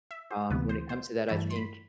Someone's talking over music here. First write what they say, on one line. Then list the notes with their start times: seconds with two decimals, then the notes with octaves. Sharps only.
um, when it comes to that, I think
0.11 E5
0.31 C5
0.50 D2 C3 E3 B3 B4
0.69 C5
0.89 C5
1.28 G2 E3 A3 E4 A5
1.50 C6
1.56 B5